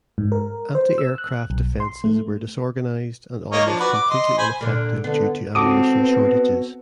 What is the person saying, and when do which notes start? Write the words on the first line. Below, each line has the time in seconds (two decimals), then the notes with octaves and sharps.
Antiaircraft defenses were disorganized and almost completely ineffective due to ammunition shortages.
0.18 G#2
0.32 A#4
0.75 C5
0.98 E6
1.18 F#6
1.50 B1
1.80 C6
2.04 A3
3.52 A#3 C#5 D#5
3.66 F3 D4
3.80 F#4 B4 D5
3.93 D6
4.10 D#5 C6
4.38 C5 G#5 B5
4.61 A#2 D3
5.04 D3 B3
5.55 C#2 A2 C4 F#4 A4 D6 D#6
5.91 B3